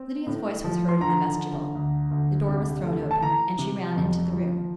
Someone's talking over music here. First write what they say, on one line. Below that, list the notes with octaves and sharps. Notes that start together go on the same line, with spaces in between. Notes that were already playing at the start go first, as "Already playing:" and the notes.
Lydia's voice was heard in the vestibule; the door was thrown open, and she ran into the room.
Already playing: C4
A2
F3
C6
D3 A#5
D3
D2
D2
C3
A3
A5
E3 A#5
C3
F2
F3